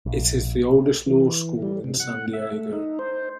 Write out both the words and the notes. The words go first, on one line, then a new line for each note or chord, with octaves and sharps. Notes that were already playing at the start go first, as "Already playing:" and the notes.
It is the oldest law school in San Diego.
A#1
E3
G3
C3
F#5
E5
A3
D#4
C5